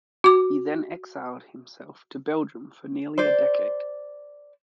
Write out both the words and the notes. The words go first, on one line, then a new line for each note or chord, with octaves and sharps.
He then exiled himself to Belgium for nearly a decade.
F#4 D6
C5 D5